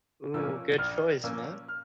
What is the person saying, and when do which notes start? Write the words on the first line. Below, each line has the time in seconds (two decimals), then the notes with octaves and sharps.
Ooh, good choice, man.
0.34 A#2 F3 A#3 C#4 E6
0.78 A#1 F6
1.23 A#2 F3 A#3 C#4 E6
1.68 F6